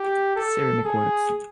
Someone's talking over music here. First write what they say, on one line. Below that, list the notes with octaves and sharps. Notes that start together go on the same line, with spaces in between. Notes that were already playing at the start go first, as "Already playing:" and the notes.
Ceramic works.
Already playing: G4
A4
G#4